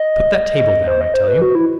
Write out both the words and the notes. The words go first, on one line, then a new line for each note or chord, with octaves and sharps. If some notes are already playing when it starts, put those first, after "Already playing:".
"Put that table down, I tell you."
Already playing: D#5
C5
D#5
C5
B4
F#4
E4